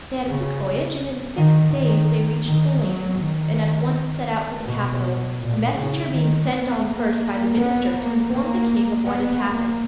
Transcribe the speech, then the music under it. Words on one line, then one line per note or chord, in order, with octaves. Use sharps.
They had a quick voyage, and in six days they reached the land, and at once set out for the capital, a messenger being sent on first by the minister to inform the king of what had happened.
C#3
D#3
D#3
D#3
F#3
D#3
B2
A#2
C#3
D#3
B3
A#3
A#3
B3
A#3
A#3
B3
A#3